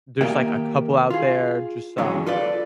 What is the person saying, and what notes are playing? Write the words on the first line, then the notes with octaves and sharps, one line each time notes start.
There's, like, a couple out there, just, uh,
D#3 A#3 G4 A#4 E5 G5
F4 G#4
D3 E3 F#3 G#3 C#4
F4 A4 B4 D5